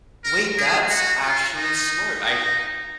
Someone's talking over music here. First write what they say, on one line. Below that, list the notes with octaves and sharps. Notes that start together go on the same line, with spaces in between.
Wait, that's actually smart. I
A#4
G#4
F#4
F4
D#4
D#4